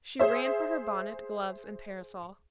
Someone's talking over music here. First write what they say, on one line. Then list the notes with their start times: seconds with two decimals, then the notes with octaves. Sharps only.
She ran for her bonnet, gloves and parasol.
0.19 G#4 C5 E5